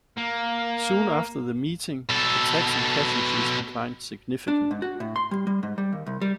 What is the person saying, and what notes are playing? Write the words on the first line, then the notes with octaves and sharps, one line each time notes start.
Soon after the meeting, attacks and casualties declined significantly.
A#3
B2 A4
D4
G#2
F#4
A2
C6
G3
G3
G#2
G3
D#2
C2
G3